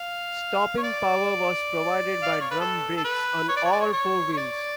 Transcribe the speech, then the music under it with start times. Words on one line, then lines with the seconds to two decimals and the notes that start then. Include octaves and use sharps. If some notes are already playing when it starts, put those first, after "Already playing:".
Stopping power was provided by drum brakes on all four wheels.
Already playing: F5
0.77 C#5
0.83 D5
2.22 F5
2.31 D5
2.41 C#5
2.51 B4
2.60 A4
2.96 A4
3.04 B4
3.49 C#5
3.56 D5
3.65 C#5
3.73 D5
3.81 C#5
3.93 C#5
4.33 C#5
4.37 D5